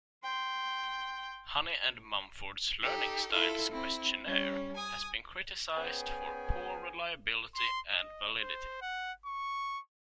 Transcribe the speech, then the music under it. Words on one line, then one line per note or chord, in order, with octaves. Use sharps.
Honey and Mumford's learning styles questionnaire has been criticized for poor reliability and validity.
G5 C6
D#4 G4 A4
E4 F4 A4
C4 E4
G3 C#4
G#5 D#6
B3 C#4 G#4 C5 G5 G#5
C6
D#5
C5
F#5
C#6